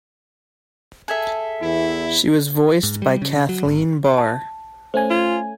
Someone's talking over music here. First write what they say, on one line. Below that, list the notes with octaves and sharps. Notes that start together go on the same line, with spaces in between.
She was voiced by Kathleen Barr.
G#4 A4 E5
E2 E4
G#2
G3
C#3
F#3
G#1
A5
A3 C#4 C5 G#5
F4